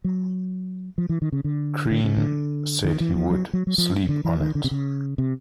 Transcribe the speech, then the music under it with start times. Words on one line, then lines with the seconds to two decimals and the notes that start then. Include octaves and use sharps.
Crean said he would "sleep on it".
0.04 F#3
0.98 F3
1.09 E3
1.22 D#3
1.32 C#3
1.44 D3
1.91 D3
2.04 C#3
2.18 D3
2.85 D#3
3.00 E3
3.16 F3
3.30 F#3
3.53 F#3
3.67 F#3
3.78 F3
4.09 D3
4.25 E3
4.40 D#3
4.55 D3
4.64 C3
4.71 C#3
5.18 C3